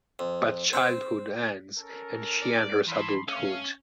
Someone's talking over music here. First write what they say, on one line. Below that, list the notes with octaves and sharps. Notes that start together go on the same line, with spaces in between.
But childhood ends and she enters adulthood.
F2
C4
C#4 A4 A#4
D5
E3 A5 B5 C6
A3 C#4 F5